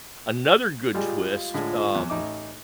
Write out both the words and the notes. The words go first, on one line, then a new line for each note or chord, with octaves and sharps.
Another good twist, um,
G3 G#3 F4 G#4
A2 D3 G#3
E2
A1 D#4 D6